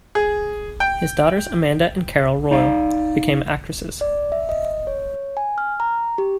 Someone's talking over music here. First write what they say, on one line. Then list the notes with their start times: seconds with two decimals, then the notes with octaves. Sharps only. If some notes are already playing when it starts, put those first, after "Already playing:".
His daughters Amanda and Carol Royle became actresses.
0.15 G#4
0.80 G5
2.51 D#4 D5 F5
4.01 D5
4.32 E5
4.49 D#5
4.87 C#5
5.37 G#5
5.58 F6
5.80 A#5
6.18 G4